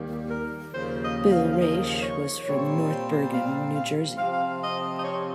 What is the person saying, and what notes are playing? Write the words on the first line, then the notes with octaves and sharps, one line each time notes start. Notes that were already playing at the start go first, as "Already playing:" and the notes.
Bill Raisch was from North Bergen, New Jersey.
Already playing: D#2 D#3 G3 A#3
A#4
D#2 C#3 F3 A#3 C5
D#5
F5
F5
D#5
C#5
A#2 G3 C4 C#5
C5
F5
F5
C3 F3 C4 F5
F5
D#5
D#5
C#5